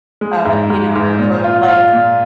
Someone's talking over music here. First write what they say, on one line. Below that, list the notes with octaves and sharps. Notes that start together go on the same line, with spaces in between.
uh, you know, or or, like,
G#3
G#2
G#2
G#2
A#2
F4
F4
A#2